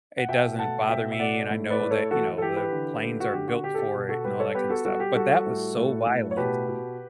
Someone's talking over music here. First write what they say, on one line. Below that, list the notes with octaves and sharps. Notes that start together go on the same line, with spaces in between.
it doesn't bother me, and I know that, you know, the planes are built for it and all that kinda stuff. But that was so violent
F#5
B2 E5 G5
A3 F#5 A5
B2 E5 G5
E5
A3 D5 F#5
A2
B4 D5
A2
A4 C#5
E3 F#4 A4
A4
E3 G4
G4 B4
D3
A3
F#4
D3 G4
F#4
D3 G4
A4
G4
B2
F#4 A4
G3 G4 B4
A4 C#5
B3 G4 B4
F#4 A4
G3 F#4 A4
G4
G3 F#4 A4
A2
A2
A2
C#5
B2 G4 B4
B2